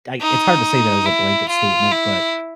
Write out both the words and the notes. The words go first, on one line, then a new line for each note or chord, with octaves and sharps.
I, it's hard to say that as a blanket statement, but
D#4
E4
F4
E4